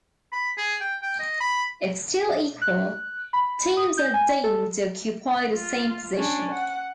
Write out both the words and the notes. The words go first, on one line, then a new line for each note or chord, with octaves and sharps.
If still equal, teams are deemed to occupy the same position.
B5
G#4
G5
G5
D#5
B5
F#6
B5
D#6
G6
G#5
A4
F4
C#4 D4
F#5